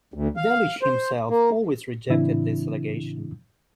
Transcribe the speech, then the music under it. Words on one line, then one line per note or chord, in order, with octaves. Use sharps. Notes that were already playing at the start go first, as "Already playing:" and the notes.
Delitzsch himself always rejected this allegation.
D2
F5
C5
A#3
A2 C#3 E3 C4 D4 E4